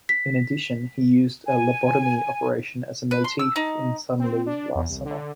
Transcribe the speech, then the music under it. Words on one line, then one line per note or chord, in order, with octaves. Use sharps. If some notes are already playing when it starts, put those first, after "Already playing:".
In addition, he used a lobotomy operation as a motif in "Suddenly, Last Summer".
B6
G#5
B4
C6
E6
D#4
C4
D4
E2
C2
D3